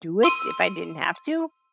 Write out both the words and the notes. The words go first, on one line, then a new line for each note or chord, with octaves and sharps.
do it if I didn't have to,
C6 E6 D#7